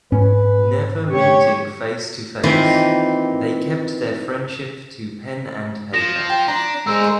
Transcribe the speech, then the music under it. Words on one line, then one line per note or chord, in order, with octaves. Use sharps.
Never meeting face to face, they kept their friendship to pen and paper.
G#2 C#4 B4
G4 C#5
D#3 E3 A#3 C4 F4
F3 A#6 E7
G5
D4 A#5
G#3 A#4 C5 E6